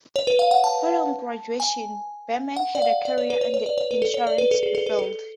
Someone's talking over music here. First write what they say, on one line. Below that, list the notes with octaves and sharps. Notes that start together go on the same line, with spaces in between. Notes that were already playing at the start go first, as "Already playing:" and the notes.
Following graduation, Beman had a career in the insurance field.
C#5
B4
F5
F#5
A5
G#5
F#5
D5
F5
D5
C#5
B4
C#5
C#5
D5
C#5
B4
A4
C#5
D5
B4
A4
G#4
A4
B4
A4